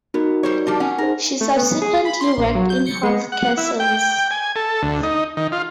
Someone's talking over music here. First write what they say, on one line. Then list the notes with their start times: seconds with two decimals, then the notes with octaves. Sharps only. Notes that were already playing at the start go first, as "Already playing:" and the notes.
She subsequently worked in health care sales.
0.14 B3 D#4 F#4 A#4
0.43 G3 C5 C#5
0.67 F3 G3 D4
0.80 C#4 F#5 G#5
0.98 D#4 G#4 A#4 C5
1.41 A3
1.56 B3
1.82 G#4
2.05 B5
2.21 C6
2.37 A#1
2.55 F#3
2.70 G6
2.86 C#7
3.03 G#3
3.32 F#5
3.57 E4
3.80 G5
4.31 G#5
4.56 A4
4.83 D2
5.03 D#4
5.37 D#3
5.52 F4